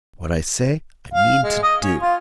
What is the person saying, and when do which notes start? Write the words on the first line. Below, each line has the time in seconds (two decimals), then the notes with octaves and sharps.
What I say, I mean to do!'
1.14 F5
1.43 G#3
1.63 D#5
1.83 C#4
2.00 F4